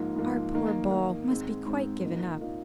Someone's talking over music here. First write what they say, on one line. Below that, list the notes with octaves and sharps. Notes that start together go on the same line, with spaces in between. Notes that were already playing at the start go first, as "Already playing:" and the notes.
"Our poor ball must be quite given up."
Already playing: G#2 F3 A#3 D#4
G#2 F3 A#3 D#4
D#3 A#3 D#4
D#3 A#3 D#4
G#2 G#3 C4
G#2 G#3 C4
A#2 A#3 D#4
A#2 A#3 D#4